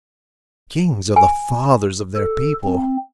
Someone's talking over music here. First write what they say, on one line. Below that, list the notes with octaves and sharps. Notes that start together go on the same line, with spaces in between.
Kings are the fathers of their people.
G#5
A4
C4